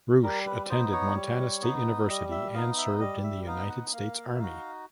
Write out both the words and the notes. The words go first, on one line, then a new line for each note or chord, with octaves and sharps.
Roush attended Montana State University and served in the United States Army.
G3 A#4
B4
B3 D#4 C5
C#5
G3
B3 D#4
G3 D#5
E5
B3 D#4 F5
E5
G3 D#5
E5
B3 D#4 F5
F#5
A#3 F5
E5
D#4 F#4 F5